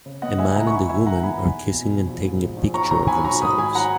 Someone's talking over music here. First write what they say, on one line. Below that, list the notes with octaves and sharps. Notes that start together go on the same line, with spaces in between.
A man and woman are kissing and taking a picture of themselves.
C#3
B3 D#5 F#5
G#3 E5 G#5
G#5
C#2 F#5 A#5
C#6
F#2 G#5 B5
D#3 E5 G#5
D#3 F#5 A#5
B3 G#5 B5
E1
E1
B2
E1
A#1
G#2
A#1
A#1
B1 A#5 C#6
B1 A#5 C#6
B1 G#5 B5
F#3 A#5 C#6
G#2 B5 D#6
D#3 G#5 B5
F#3 F#5 A#5